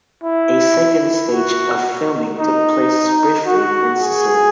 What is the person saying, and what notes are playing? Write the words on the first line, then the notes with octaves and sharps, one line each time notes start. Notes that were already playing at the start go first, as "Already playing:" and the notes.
A second stage of filming took place briefly in Sicily.
E4
F#4
D#4
F#4
G#4